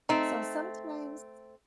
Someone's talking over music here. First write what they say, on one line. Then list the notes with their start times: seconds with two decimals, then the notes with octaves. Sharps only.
So, sometimes
0.09 A3 C4 D#4